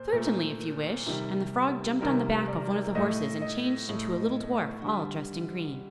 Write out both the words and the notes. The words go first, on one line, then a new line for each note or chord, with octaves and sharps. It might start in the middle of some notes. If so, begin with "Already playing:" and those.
'Certainly, if you wish,' and the frog jumped on the back of one of the horses, and changed into a little dwarf, all dressed in green.
Already playing: A#2 C5
A#2 A3
C3 D#3 G3
C3 D#3 G3 A#4
D5
A2 A3 D#5
D#5
A2 A3
D3 G3